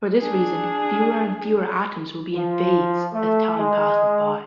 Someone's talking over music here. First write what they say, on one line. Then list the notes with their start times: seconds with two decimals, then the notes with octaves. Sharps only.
For this reason fewer and fewer atoms will be in-phase as time passes by.
0.20 D4 G#4
2.34 F3
3.13 A3
3.58 G#3